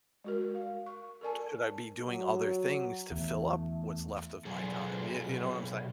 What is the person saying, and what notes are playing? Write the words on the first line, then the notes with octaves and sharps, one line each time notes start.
should I be doing other things to fill up what's left of my time? You you know what I'm saying?
G#3 F#4 A#4
F5
C#6
A4 A#4 D5 G#5 A5
F#3
E2 A3
B2 F#3 G#4 A4